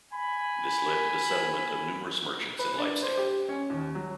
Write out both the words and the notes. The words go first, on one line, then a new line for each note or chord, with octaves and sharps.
This led to the settlement of numerous merchants in Leipzig.
G#5 B5
B4
D4
C5
G4
C#4
D#2
F#3